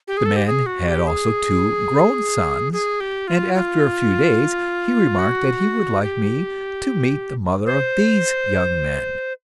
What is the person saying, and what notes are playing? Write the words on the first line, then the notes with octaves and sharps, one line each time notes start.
The man had also two grown sons, and after a few days he remarked that he would like me to meet the mother of these young men.
G4
G#4
A4
G4
G#4
F#4
G4
G#4
G#4
G4
F4
F4
F#4
G4
C5